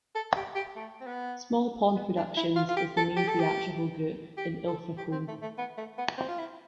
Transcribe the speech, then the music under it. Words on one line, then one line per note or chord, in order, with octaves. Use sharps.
Small Pond Productions is the main theatrical group in Ilfracombe.
A4
G4
G4
A3
C4
B3
B3
D4
E4
F4
F4
G4
A4
G4
A4
G4
G4
A4
G4
C4
A3
A3
B3
A3
B3
C4
F4
E4